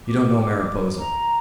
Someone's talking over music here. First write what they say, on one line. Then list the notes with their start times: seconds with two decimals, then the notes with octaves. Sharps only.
You don't know Mariposa.
0.06 D6
0.99 A#5